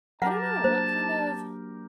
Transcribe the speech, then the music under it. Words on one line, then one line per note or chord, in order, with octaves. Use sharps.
I don't know, what kind of
F#3 G4 A#4 F#5 A5
A#3 D4 C5